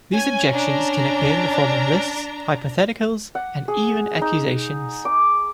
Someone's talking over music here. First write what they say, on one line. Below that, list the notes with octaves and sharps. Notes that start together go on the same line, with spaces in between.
These objections can appear in the form of lists, hypotheticals, and even accusations.
C#4 G#5
D4 A#5
F#5
G#4
D#4
D6